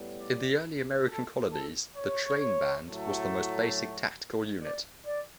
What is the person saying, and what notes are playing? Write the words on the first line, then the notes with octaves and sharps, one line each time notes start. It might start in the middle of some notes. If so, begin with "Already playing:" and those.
In the early American colonies the trainband was the most basic tactical unit.
Already playing: A2 G3 B3
D5
A4
A4
C#5
A2 F#3 A3
D5
D5